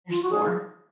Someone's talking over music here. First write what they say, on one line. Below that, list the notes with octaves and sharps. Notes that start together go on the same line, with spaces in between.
There's more.
F4
F#4
G#4